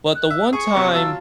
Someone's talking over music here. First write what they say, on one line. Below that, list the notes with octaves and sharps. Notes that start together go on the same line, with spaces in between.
but the one time,
F#6
E5
G#4 G#5 C#6
C3 B3 C#4
F#3 F4 A5 E6